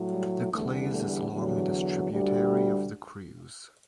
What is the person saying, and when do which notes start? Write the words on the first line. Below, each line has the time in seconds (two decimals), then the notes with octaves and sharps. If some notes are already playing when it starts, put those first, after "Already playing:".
The Claise is long and is a tributary of the Creuse.
Already playing: A2 F#3
0.12 G3
0.52 E2 D3 G3 A3
0.91 A3
1.31 E2 D3 F#3 G3
2.10 D2 D3 G3
2.50 A3